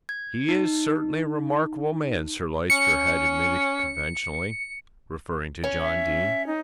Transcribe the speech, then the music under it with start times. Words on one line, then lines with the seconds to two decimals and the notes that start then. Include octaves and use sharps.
"He is certainly a remarkable man," Sir Lyster had admitted conventionally, referring to John Dene.
0.09 G#6
0.49 D#4
2.70 C#4 C#7
5.64 C#4
5.81 E5
6.47 D#4